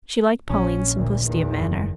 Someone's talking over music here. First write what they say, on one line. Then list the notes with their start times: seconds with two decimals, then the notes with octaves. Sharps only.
She liked Pauline's simplicity of manner.
0.50 A#1 C#4
0.95 D2 A#2
1.27 E2 D#3
1.61 F#1